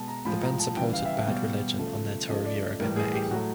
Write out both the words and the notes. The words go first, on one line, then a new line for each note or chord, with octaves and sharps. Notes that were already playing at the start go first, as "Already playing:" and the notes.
The band supported Bad Religion on their tour of Europe in May.
Already playing: B2 G#3 A5
A#5
A2 F3 G#3 B5
A#5
A5
C#3 E3 G3 G5
F5
E5
F5
B2 G3
C#3 F3 A3
C#3 F3 A3 D#5
D5
A2 E3 G3 A#4
G#4
G4
A2 F#3 A3 F#4